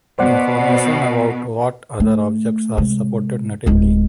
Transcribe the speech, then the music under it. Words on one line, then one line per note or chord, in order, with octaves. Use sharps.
Information about what other objects are supported natively.
B2 C5 D5 F#5
A3
C3 G#3
D1 G#3